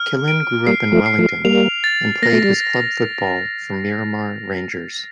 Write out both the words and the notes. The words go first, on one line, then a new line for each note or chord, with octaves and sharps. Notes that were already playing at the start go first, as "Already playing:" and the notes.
Killen grew up in Wellington and played his club football for Miramar Rangers.
Already playing: F6
D7
G3 A#3 C7
F3 A3
C7
F3 A3
G3 A#3 F7
A6
A#3 A#6
A3
G3